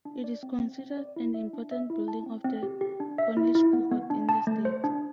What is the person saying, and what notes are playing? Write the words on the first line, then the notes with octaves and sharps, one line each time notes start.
It is considered an important building of the Cornish period in the state.
D4
D5
C4
C4
C4
D5
E4
E5
D4
E5
E4
A5
C4
C4
G4
G4
D4
E5
E4
E4
B3
B3
D4
A5
A3
C5
D4